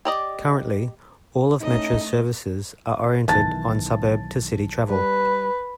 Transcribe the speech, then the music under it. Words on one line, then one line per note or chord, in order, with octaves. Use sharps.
Currently all of Metra's services are oriented on suburb-to-city travel.
G4 D5 D#5
A2 A3 C#4 D#4 D#5
B1 D#3 E3 A5 A6
G3 B4